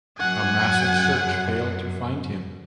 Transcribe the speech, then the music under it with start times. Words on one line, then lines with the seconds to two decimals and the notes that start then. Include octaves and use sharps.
A massive search failed to find him.
0.18 F#2 F#5 G#5